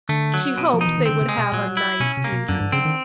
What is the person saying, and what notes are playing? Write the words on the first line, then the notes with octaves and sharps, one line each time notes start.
She hoped they would have a nice evening.
D3 A3
F#3
B2
F3
E3 D#4
D#3
D3 C4
C#3
G#3
B2
A#2 F#3
E4
B2 C#4
C3
A#3
B2
F#2 D3
G2
C#3 C4
D#3